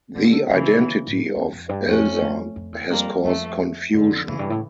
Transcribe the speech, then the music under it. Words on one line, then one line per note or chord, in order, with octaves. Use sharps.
The identity of "Elsa" has caused confusion.
D3 A#3
A3
C#3 E3 A#3
A3
C#3
A2
F2
F2
G2
F2 A3 C#4
F2
E2
F2 G3 A#3
F2 F3 A3
G2 D3
F2
F2 C#3 E3
G2
A2